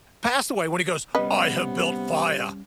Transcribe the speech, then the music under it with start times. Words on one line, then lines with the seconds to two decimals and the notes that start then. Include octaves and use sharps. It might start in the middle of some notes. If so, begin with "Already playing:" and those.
passed away when he goes, "I have built fire."
1.15 C3 G3 B3 C#4 B4 D#5